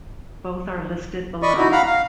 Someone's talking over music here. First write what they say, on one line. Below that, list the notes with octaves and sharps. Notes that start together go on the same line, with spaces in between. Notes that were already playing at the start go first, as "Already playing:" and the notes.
Both are listed below.
D5 D#5 B5 C#6
D#4 E4 F#4
F5 F#5 A#5 B5
F5